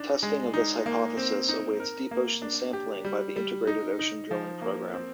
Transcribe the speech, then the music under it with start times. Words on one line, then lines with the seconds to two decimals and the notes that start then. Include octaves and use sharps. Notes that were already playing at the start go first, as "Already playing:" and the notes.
Testing of this hypothesis awaits deep ocean sampling by the Integrated Ocean Drilling Program.
Already playing: D4 D#4
0.23 G#3
0.54 D#4
0.86 A#3
1.17 C4
1.49 D#4
1.80 A#4
2.11 A#3
2.42 D4
2.73 G4
3.05 G3
3.36 G3
3.67 D#4
3.99 D#4
4.31 F3
4.62 A#3
4.93 C4